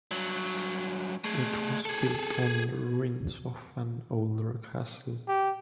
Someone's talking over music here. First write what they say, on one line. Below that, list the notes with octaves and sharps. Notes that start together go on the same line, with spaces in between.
It was built on the ruins of an older castle.
G2 F#3
A3 G#4
G#4 A4
G4